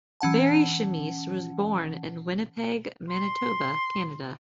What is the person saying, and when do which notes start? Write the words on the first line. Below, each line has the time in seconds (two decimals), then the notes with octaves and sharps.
Barry Chamish was born in Winnipeg, Manitoba, Canada.
0.21 E3 C#4 F#5 A5
3.09 C6